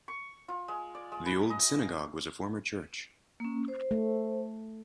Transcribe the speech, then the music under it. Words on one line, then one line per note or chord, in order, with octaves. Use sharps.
The old synagogue was a former church.
C#6
F4
G#3
D5
G#3
B4
D#5
F5
A#3 C#4
C5
A3